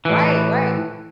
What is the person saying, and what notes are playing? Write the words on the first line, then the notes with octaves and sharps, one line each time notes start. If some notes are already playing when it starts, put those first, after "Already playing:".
Right, right.
A2 E3